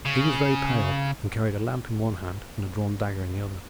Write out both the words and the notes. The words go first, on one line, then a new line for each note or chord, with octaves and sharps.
He was very pale, and carried a lamp in one hand and a drawn dagger in the other.
C#3